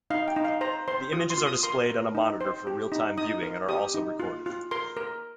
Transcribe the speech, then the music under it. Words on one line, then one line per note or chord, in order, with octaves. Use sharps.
The images are displayed on a monitor for real-time viewing and are also recorded.
D#4 F5
G5
D#4
F5
C5 A#5
C5 C6
F4 D#6
C6
F4
D#6
A#4 C6
A#4
D#4
C5
G4
D#4
D#4 D#6
A#4
G4 D#6
D#4
F4
F4
A#4 C6
A#4